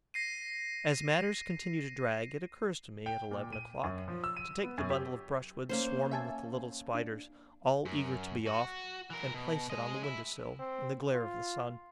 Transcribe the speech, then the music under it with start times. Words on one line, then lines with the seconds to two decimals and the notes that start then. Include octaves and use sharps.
As matters continue to drag, it occurs to me, at eleven o'clock, to take the bundle of brushwood swarming with the little Spiders, all eager to be off, and place it on the window-sill, in the glare of the sun.
0.14 A#6 C7 D#7
3.06 G5
3.31 A#2
3.53 D#7
3.83 F#2
4.08 F3
4.24 E6
4.37 D#7
4.64 B3
4.78 F#2
4.90 G4
5.69 A#3 C#4 C5
6.11 E5 G#5 A5
6.95 D4
7.85 F#2
8.47 F#4
9.10 E3 A#4
9.34 B2
9.70 G#3 D#5
10.03 E4
10.59 C4
11.13 F4